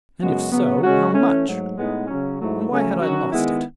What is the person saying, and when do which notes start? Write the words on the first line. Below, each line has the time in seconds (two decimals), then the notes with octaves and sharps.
And if so, how much? And why had I lost it?
0.21 F#2 C#3 G#3 B3 F#4
0.52 C#3 F#3 B3
0.84 C#3 G#3 C#4 F#4
1.14 E3 A3 C#4
1.45 G#2 F#3 A3
1.76 A2 G#3 B3 D#4
2.07 C#3 F#3 C#4
2.38 G#2 F#3 A3 E4
2.69 C#3 F#3 A3 C#4
3.00 D#3 F#3 C#4 F#4
3.31 D#3 G#3 B3 E4